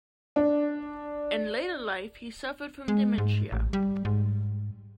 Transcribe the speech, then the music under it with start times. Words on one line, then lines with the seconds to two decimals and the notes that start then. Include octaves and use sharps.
In later life he suffered from dementia.
0.36 D4
2.88 G#3
3.18 G#2
3.52 A1
3.73 G3
4.05 G#2